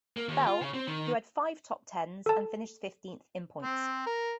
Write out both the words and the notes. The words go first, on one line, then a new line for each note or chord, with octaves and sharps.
Bell, who had five top-tens and finished fifteenth in points.
A#3
D#2
F4
C#3
C4
D#3
A4 A5
C4
A#4